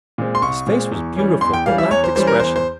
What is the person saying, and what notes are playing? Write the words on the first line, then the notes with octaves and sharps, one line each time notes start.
His face was beautiful, but lacked expression.
A#2 G#3 C4
C6
C2 C#6
A#2 G#3 C4
E2
E3 G3 C#4
E2 C6
G5
E3 G3 C#4 F5
E5
E2 C#5
C5
E3 G3 C#4 C5
A#4
E2 C5
C5